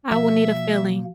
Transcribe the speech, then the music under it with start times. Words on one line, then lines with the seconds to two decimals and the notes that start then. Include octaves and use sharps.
I will need a filling.
0.12 B2 F3 A#3 E5